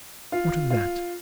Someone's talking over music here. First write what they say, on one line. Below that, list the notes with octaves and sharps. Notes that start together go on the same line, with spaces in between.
What of that?
F4
F4